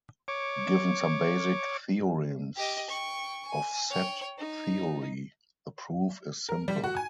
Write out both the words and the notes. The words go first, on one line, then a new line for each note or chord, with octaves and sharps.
Given some basic theorems of set theory, the proof is simple.
C#5 D6
G4 D#5
G5 C#6
G#5
C#5 G5
D#4
A#4
G3
F#4
G#5